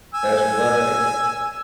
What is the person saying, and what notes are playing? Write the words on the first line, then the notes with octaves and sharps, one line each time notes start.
that's right.
G#5 E6